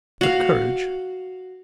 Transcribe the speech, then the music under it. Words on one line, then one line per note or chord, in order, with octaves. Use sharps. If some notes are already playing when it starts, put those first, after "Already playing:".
But courage!
F#4 F5